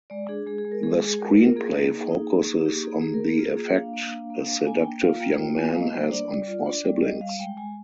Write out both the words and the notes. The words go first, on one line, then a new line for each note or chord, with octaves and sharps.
The screenplay focuses on the effect a seductive young man has on four siblings.
G#3 D5
D4 G#4
G#3 G#4
G#4
G#3
A#4
G#3 G#4
G#3 G#4
G#3 A#4
F4 A#4
A#3 G#4
D#4
A#3
D#4
A#3
A#3
D#4 G4
A#3 G#4
A#3 G#4
A#4
A#3
G#4
F4 G#4
A#3 G#4
D4 F5
A#3
D4
A#3
D4 F5
A#3 G#5
A#3 G5
F4 F5
A#3 G5
F4 G5
A#3 G#5
F5
A#3
D#5
G3 C5
D4 D5
G3
F4
D4
G3
G3 D#5
G3 F5
G#3 G5
G#3 G#5